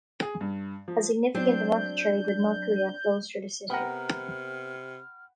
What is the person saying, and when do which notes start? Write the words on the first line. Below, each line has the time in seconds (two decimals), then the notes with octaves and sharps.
A significant amount of trade with North Korea flows through the city.
0.22 G#4
0.41 G2
0.88 F3
1.35 F#3 C4 D4 G6
3.70 C3 B3 A#4 F#5 G5 B5 F6